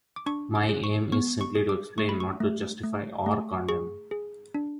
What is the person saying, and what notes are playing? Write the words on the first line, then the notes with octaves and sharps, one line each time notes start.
My aim is simply to explain, not to justify or condemn.
D6
D4 C#6
D6
G#4
C#6
B3 C#6
C#6
G#4
D6
A3 C#6
B5
C#6
A3
A3
A3
G#4 C#6
G#4
D4